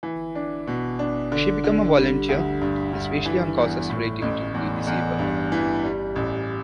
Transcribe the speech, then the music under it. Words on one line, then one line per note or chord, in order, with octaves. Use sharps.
She became a volunteer, especially on causes relating to the disabled.
E3
D4
B2
D4
D3
D3
G3
D2
G2
G2
E3
E2
A2
A1
E2
E2
G2
E3
G3
A1